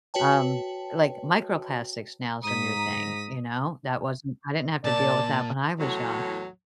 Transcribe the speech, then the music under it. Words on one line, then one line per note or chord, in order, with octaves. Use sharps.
um, like microplastics now is a new thing, you know? That wasn't I didn't have to deal with that when I was young,
F#4 B4 C#5 G5 A5
G#2 A#5 D#6 B6
A#2 D5 A5
E2 A2 F#3